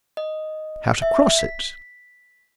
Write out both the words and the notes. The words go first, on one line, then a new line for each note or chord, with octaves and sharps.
How to cross it?
D#5
E5
B6